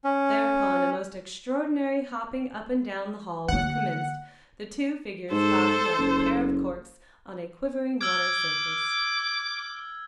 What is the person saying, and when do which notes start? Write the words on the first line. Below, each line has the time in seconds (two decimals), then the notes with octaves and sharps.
Thereupon a most extraordinary hopping up and down the hall was commenced, the two figures bobbing like a pair of corks on a quivering water-surface.
0.04 C#4
3.48 D3 A#3 F#5
5.32 G#2 A4 C5
5.99 F#1
8.01 D6 E6 F6 G#6